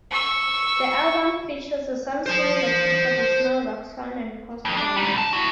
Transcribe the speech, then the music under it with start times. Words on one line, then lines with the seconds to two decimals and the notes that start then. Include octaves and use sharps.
The album features a sound similar to traditional rock sound and post-grunge.
0.10 C#6 E6
2.26 C5 A5
4.65 F2
4.76 D4
4.96 G3 D#4
5.14 C2 A5
5.33 E4 F#4